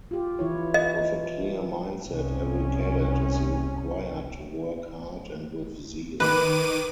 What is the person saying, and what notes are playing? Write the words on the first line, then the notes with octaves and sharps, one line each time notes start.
With a clear mindset every cadet is required to work hard and with zeal.
F4 G4
E3 E4 C#5
D#5
C2 C#4
D#3 B4 D6 D#7